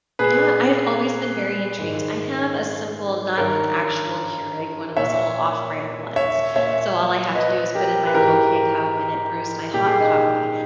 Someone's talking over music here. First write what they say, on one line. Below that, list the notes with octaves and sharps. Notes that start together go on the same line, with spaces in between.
yeah, I've always been very intrigued. I have a simple, not an actual Keurig, one of those little off-brand ones, so all I have to do is put in my little K-Cup, and it brews my hot coffee.
A#2 G#4 B4
G#2 D#3
G2 D#3 A#4 C#5
A#2 C#5 E5
C#5 E5
A#2 C#5 E5
B4 D#5
G4 A#4
B4
G#2 E3 G4 A#4
A#2 G4
G#4
D#4 G4